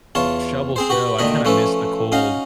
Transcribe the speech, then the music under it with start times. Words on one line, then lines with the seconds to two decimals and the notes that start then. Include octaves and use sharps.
shovel snow, I kinda miss the cold.
0.15 E2 F4 C#5 A5
0.76 C4 G#4 C5
0.90 F#4 G4 B4 B5
1.19 D2 A#2 D#3 D4 D#5 B5
1.45 F3 A3 C#4 A4 B4
2.12 C#4 D#4 F#4 F5